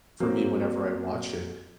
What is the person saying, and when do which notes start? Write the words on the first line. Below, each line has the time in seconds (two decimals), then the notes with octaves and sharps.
for me whenever I watch it.
0.20 F#3 A#3 C4